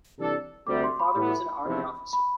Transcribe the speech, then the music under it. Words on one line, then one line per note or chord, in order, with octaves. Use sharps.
Her father was an Army officer.
C3 E3 G3 D4 A4
D2 C3 G3 D6
C6
B5
A2 E3 B3
E2 C3 F3 A3 E4
B5